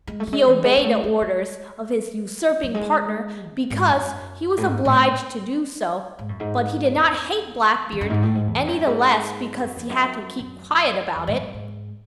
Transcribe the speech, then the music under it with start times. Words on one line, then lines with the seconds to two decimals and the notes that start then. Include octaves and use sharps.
He obeyed the orders of his usurping partner because he was obliged to do so, but he did not hate Blackbeard any the less because he had to keep quiet about it.
0.07 G#3
0.20 A3
0.27 F#3
0.33 G#3
0.46 E3
0.64 G#3
0.77 G#3
0.84 A3
1.04 A3
1.22 G#3
2.63 F#3
2.75 G#3
3.51 B2
3.70 G#2
3.90 F#2
4.57 A2
4.66 G#2
4.85 A2
6.19 G#2
6.29 F#2
6.40 G#2
6.95 E2
7.92 E2
8.01 F#2
8.10 G#2
8.23 A2
8.35 G#2
8.47 E2
8.67 F#2
8.86 G#2
9.63 F#2
9.76 E2
9.90 F#2
10.39 F#2
11.15 E2
11.27 G#2
11.34 F#2
11.54 G#2